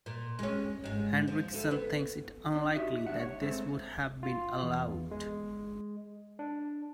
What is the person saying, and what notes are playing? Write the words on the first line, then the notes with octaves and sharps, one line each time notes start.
Hendriksen thinks it unlikely that this would have been allowed.
A#2
G#3 C#4
G#2 G#3
F3
D2 D3
B3
D4
D#4 F#4 G4 D#5 E5
D#2 G#2 D4 E5 F#5
C#5
G#3 A3 C4 G#4 A4
F4
E2
G#3
D4